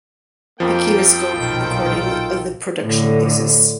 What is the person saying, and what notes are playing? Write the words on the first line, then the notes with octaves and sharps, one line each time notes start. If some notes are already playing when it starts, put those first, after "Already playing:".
A kinescope recording of the production exists.
F2 F3 A#3 A4 G5
B1 A#2 D#3 F4
A2 D3